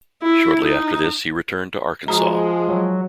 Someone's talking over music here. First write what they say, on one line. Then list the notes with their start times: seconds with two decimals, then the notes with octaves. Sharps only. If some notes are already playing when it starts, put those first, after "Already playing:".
Shortly after this he returned to Arkansas.
0.22 E4
0.61 D#4
2.08 F3 G#3 F#4 A#5
2.69 F#3